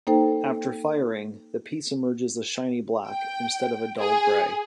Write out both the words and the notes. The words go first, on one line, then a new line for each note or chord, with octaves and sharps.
After firing, the piece emerges a shiny black instead of a dull gray.
A#3 D#4 A4 C5 G5
G5
G#4